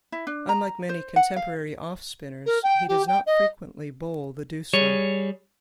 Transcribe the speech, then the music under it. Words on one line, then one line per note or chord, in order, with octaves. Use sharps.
Unlike many contemporary off-spinners he does not frequently bowl the doosra.
E4
D4
A#5
C5
F#5
F5
A#4
G5
G4
G5
D#5
G3 G#4 C#5